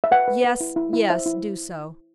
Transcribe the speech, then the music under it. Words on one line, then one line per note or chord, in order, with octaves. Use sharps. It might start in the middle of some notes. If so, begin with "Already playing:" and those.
"Yes, yes, do so."
E5
B4 F#5
B4
B4
E4
E4
E4
C5 E5
E4